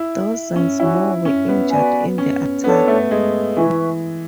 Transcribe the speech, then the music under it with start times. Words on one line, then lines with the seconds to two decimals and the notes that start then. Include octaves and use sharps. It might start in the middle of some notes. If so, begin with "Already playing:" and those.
Dozens more were injured in the attack.
Already playing: E4
0.56 C#4
0.79 D4 E4 F#4 C#5 G#5
1.25 C#4
1.48 B3
1.71 B3 F#4 B4 D5 G#5
2.18 C#4
2.64 B3 D4 A4 C#5
2.88 A3
3.11 G#3
3.57 E3 B4 E5 G#5 C#6